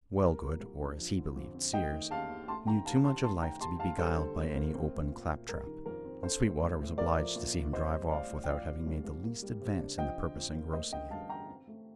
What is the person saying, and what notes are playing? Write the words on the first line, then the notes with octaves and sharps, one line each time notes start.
Wellgood, or, as he believed, Sears, knew too much of life to be beguiled by any open clap-trap, and Sweetwater was obliged to see him drive off without having made the least advance in the purpose engrossing him.
G3 A#4
A#2
C2
D4
F3
D3
F2
C4
A3 D#5 G5
D#3
D#2 F5 A5
D#2
A3 A5 C6
D#3 G5 A#5
C3 F5 A5
C3 A5 C6
A3 A5 C6
D#3 G5 A#5
D#2 A5 C6
D#2 F5 A5
G3 A4 C5
D3
D2
A#3
C4
A3
A#2
A#2
G3 A#4
D#3
F2 A#4
C4
D4 A4 C5
A3
A2
A2
A3 A#4 D5
F3
A#2
A#2
C4 C5 D#5
G3
A2 D5 F5
A2
G5
F3 D5 F5
C3
C2
C2
A#3
G3
C3
D4
F3 D#5 G5
D3
F2
A#3
A3 C5 D#5
D3 D#5 G5
G2 F5 A5
D4 G5 A#5
C4
A3